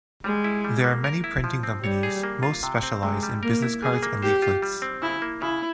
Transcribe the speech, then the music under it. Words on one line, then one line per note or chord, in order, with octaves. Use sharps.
There are many printing companies, most specialize in business cards and leaflets.
G3 G#3
E4
G3
A#3
A#4
E4
F3
C4
G3 C#5
G#4
A#3
F4
C3
C4
C3 G#3
G3
A#3 A#4
E4
G3 G#4
A#3
G4 C5
F4
G3
C4
C#3 E4
A#3
C#3 E4